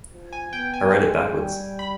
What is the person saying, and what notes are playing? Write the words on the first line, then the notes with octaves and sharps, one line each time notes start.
I read it backwards.
F3
G#5
B3 G5
G#5
G#3
G3
B5